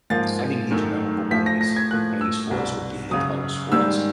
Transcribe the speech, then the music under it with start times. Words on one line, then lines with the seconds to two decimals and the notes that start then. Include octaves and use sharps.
having these memorable moments playing sports or being a part of sports,
0.10 G#2 F3 A#3 A6
0.70 F#2 D#3 F#3 A3
1.31 A2 F3 A3 B6
1.46 A#6
1.61 A#6
1.76 G#6
1.91 A2 F3 A#3 F#6
2.21 E6
2.51 C2 B2 G3
3.11 F#2 C#3 F#3 D#6
3.72 G#2 D#3 G3 A#3 E6